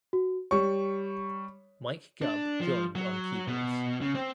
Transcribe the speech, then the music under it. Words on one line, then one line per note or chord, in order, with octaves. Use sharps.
Mike Gubb joined on keyboards.
F#4
G3 C#5 C#6
D4
F3
F#3
B2
C#3
C4